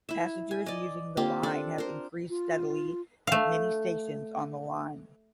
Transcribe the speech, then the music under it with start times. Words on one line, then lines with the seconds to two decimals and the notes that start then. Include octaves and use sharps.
Passengers using the line have increased steadily at many stations on the line.
0.09 E4 E5
0.51 G#5
0.66 D5 D#5
1.17 A#3 C4 F4 G4
1.43 D4 A4 D5
1.78 A#4 C5
2.29 F4
3.27 A3 F5